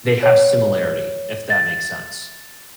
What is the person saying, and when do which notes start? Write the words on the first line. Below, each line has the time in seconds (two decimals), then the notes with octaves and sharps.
they have similarity, if that makes sense.
0.23 C#5
1.50 A6